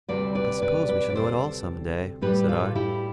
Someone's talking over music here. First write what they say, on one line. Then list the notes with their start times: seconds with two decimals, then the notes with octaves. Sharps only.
"I suppose we shall know it all some day," said I.
0.09 D2 C3 G3 B4 D5
0.35 B4 D5
0.62 B4 D5
0.89 B4 D5
1.10 D5
1.15 A4 C5
2.22 A2 G3 G4 B4
2.49 F4 A4
2.75 E4 G4